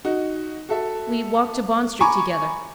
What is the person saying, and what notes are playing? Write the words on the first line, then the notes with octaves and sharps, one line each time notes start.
We walked to Bond Street together.
D#4 F#4
F#4 A4 E5
G#5 A#5 B5 C#6 D6